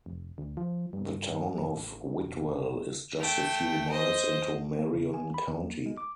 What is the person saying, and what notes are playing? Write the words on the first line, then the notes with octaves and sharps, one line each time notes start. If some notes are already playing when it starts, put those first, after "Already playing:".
The town of Whitwell is just a few miles into Marion County.
F1
D2
F3
G2
F1
A1
E1
A3 G5
C5 D#5
A#3
C#3
G#5
B5
E2
A#3
G#3
D6